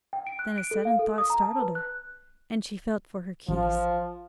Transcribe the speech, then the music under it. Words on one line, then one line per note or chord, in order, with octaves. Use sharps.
Then a sudden thought startled her, and she felt for her keys.
G5
D7
F#6
D7
A4
F5
A4
D#6
A#5
A5
B4
F#6
A1 F3